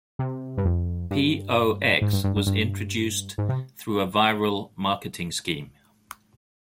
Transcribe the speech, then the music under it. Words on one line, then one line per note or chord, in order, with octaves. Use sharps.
P-O-X was introduced through a viral marketing scheme.
C3
G2
F2
G2
G#2
G2
G2
G2
G2
G#2
C3